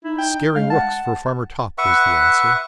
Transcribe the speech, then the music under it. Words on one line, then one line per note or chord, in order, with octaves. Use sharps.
'Scaring rooks for Farmer Topp,' was the answer.
D#4 E4
G5
G#3 F5
F#5 A5
B4 E5 F#5 C#6